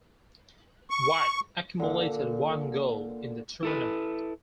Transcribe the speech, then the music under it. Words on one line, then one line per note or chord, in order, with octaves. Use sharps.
White accumulated one goal in the tournament.
C#6
A#2 D3
E4 A4 B4